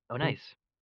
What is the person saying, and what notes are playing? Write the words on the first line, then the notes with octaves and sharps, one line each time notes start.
Oh, nice.
C#3